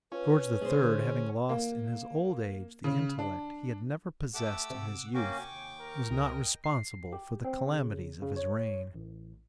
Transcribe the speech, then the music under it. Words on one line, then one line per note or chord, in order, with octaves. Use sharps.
George III., having lost in his old age the intellect he had never possessed in his youth, was not responsible for the calamities of his reign.
C#4 F4 B4
B2 G#3 G#4 C5
D3
A#3
C#3
D4
A3 G4 A4 F#5 D6 E6
C3
A#3 C#4 F#4 G5 G#5 C#6 D6
D#2
A#4
C#2 D#5 G5 A#5
C7
G4
C4
C#3
C#3
C#5
A1